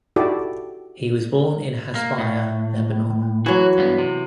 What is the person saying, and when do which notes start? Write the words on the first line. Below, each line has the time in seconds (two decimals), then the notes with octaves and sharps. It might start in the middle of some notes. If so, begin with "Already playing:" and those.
He was born in Hasbaya, Lebanon.
0.16 D#4 E4 F#4 G4 A4 D5
1.95 A#3
2.18 A2
3.46 E3 F#3 F#4
3.78 G2 B3
3.98 C3